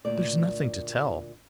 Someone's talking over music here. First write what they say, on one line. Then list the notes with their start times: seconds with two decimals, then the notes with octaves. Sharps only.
"There's nothing to tell."
0.05 D2 A#2 D5